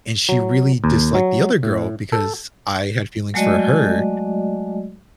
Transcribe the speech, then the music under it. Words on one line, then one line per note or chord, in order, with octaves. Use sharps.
and she really disliked the other girl because I had feelings for her
F#3
D#2
F#3
A2
A4
F#3 G#3 A3 F#4 D5 D#5